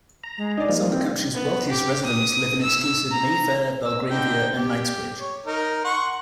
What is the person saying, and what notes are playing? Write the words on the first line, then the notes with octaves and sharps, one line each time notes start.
Some of the country's wealthiest residents live in exclusive Mayfair, Belgravia and Knightsbridge.
A#5
G#3
D#4 G#4 D5
F3 G3 A#3
C4
B3
G4
D#6
E6
A#5
E6
D3 D#4 G5
G4
C#5
D#4 A#4
F#5 C6 C#6